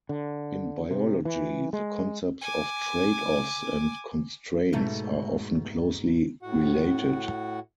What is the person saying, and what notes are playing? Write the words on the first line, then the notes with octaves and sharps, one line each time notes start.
In biology, the concepts of tradeoffs and constraints are often closely related.
D3
C3
E3
G#3
G#5 D6
G#2 B2 A3
A2 F#4 F#5